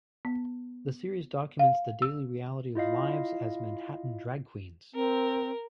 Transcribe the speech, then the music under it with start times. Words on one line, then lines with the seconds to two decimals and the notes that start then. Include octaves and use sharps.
The series documents the daily reality of lives as Manhattan drag queens.
0.25 B3
1.59 F5
2.02 E6
2.75 E4 F4 D#5 F5
4.94 C4 A#4